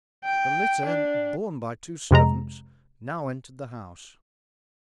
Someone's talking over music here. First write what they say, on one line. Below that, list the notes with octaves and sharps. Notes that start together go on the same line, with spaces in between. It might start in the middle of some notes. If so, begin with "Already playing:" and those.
The litter, borne by two servants, now entered the house.
G5
D4
F2 C3 G#3 A#5